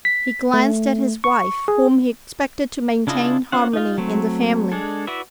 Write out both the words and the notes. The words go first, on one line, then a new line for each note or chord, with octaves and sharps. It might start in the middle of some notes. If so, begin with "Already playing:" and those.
He glanced at his wife, whom he expected to maintain harmony in the family.
B6
A3
C#6
G#4
C#3 D4 E4 F4 D#5
C#4 F4 C5 F#5
D#4 F4
F#3 A3 C4
G#3 D4 G#4 A4
E4 F#4 B4 D5 E5